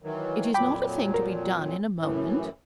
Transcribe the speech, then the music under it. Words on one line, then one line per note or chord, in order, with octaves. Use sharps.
'It is not a thing to be done in a moment.'
D#3 E3 F#3
F2 A#2 F#3 G5 B5 D6
A#4
F#2 A2 E3